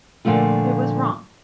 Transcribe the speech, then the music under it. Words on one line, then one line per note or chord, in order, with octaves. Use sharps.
It was wrong.
A#2 D3 F3 A3 F4